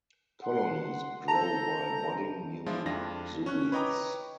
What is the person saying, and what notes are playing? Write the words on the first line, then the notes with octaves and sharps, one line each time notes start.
Colonies grow by budding new zooids.
F#5 C6
A4 A5 A#5 G6
F3 G#3 D4 E4 F4
F2 D4 F4 A#6
C#4 C#6 F#6
B4 C#5 D#5 G5 A#5 D6